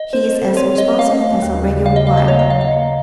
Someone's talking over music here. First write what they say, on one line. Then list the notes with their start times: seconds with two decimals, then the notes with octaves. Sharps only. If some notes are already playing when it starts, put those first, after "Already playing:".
He is as responsive as a radio wire.
Already playing: D#5
0.13 C4 C5
0.35 A4
0.57 C4 C#5
0.77 C4 D#5
0.93 D#5
0.99 A3 F5
1.21 A3
1.42 D#2
1.64 C#3
1.85 C#3 F5
1.96 D#5
2.06 C#3 F5
2.17 D#5
2.28 A#3 C#5
2.39 D#5
2.50 F#3 F5
2.61 F5
2.72 A#3